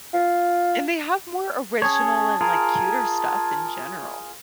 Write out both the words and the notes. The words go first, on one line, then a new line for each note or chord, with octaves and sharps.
And they have more original and, like, cuter stuff in general.
F4
C#4 G#4 C#5 A5
F4 G#4 A#4